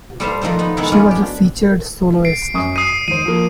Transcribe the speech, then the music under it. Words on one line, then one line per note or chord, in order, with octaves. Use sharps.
She was a featured soloist.
G3 A4 C5 E5 F5
D#3 F3 A3 D#4 C5
B3 D#4
C3 D#3 G#3 B3 E4 A4
F#2 G#3 C#4 F4 G4 F#5
D4 G4
C7 D7
F#2 C#6 D#6
D#6 C7 D#7
D#2 C5 D#7
F3 A#3